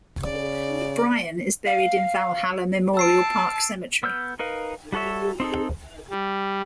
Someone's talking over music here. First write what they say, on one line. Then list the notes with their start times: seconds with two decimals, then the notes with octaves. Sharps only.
Bryan is buried in Valhalla Memorial Park Cemetery.
0.24 C#3 D5
1.66 F5
2.97 A5 E6 C7 D7
4.03 B3 E6 F6 G6
4.39 D#4 A#4 B4 F5
4.93 G3 F#4 A4 C#5 E5
5.40 C4 D#4 G#4 A4
6.10 G3